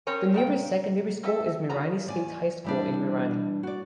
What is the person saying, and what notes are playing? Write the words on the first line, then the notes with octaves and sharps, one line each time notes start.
The nearest secondary school is Mirani State High School in Mirani.
C4 C#4 A#4 C#5 G#5
A#2 C#3 G5
C4 A4 E5
G2 B3 F#4 A#5
D#2 D5 G#5
E3 G3 D4
F#4 D5